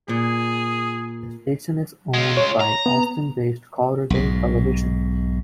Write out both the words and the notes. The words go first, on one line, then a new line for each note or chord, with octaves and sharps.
The station is owned by Austin-based Corridor Television.
A#2 G#4
G#3 F4
C#5
A#5
B3
B1 G#2